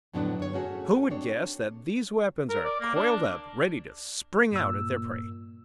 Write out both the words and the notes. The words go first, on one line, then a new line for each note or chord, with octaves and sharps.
Who would guess that these weapons are coiled up, ready to spring out at their prey?
F2 A2 D3 F#3 B3 D4
G2 C#5
A3 C#4 F#4 G#4
C4 D4 C#5
A#4
D5
A#3
D4
G2 A#2 E6